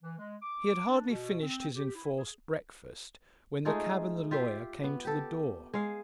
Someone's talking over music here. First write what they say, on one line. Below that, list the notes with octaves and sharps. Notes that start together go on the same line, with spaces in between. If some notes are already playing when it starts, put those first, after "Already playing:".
He had hardly finished his enforced breakfast when the cab and the lawyer came to the door.
E3
G#3
D6
D4
B2
C4
G4
E4
G#4
G#3 A3 D#4 F4
F4 G4 E5 F5
B3
G4 A4
G#3 F5